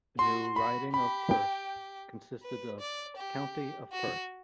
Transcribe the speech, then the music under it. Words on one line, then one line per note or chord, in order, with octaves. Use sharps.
The new riding of Perth consisted of County of Perth.
F#4 C6
F#4 B5
G4 B5
G5
B4
D5
G4
F#4